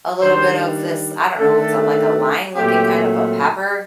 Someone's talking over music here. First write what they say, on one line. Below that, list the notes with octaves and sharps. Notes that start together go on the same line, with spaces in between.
a little bit of this I don't know if it's a like a lime-looking kind of a pepper.
D#3 G3 D4 C5
D#3 A3 D4 A4
A#2 F#3 A3 C4 G4